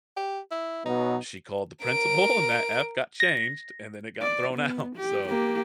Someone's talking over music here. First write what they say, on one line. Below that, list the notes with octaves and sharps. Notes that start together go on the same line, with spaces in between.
she called the principal, and that F got changed, and then it got thrown out so,
G4
E4
B2 F#3 D#4
A#4 D7
A#6
D5
B3
G4
A#3 G4